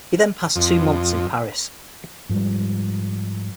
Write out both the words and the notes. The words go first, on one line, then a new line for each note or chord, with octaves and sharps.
He then passed two months in Paris.
F2
G#2 F3 G3